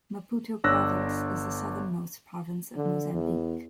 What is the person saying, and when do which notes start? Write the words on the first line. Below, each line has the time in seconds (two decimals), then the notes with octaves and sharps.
Maputo Province is the southernmost province of Mozambique.
0.64 G1 D4 C#5 E6 F#6 A#6
2.76 D3
3.13 E2